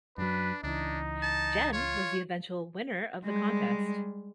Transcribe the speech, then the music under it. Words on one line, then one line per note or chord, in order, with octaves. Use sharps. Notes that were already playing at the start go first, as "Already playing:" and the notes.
Jen was the eventual winner of thecontest.
F#2 F#3 D4 B4
C#2 E3 D4 D#4
A5
F4 C#5
G3 G#3